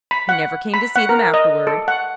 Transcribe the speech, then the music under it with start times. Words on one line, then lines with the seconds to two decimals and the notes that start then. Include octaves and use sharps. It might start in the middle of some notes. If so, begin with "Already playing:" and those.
He never came to see them afterward.
0.11 B5
0.29 F#5
0.74 B5
0.96 F#5
1.09 A#4
1.34 D#5
1.67 A4
1.88 F#5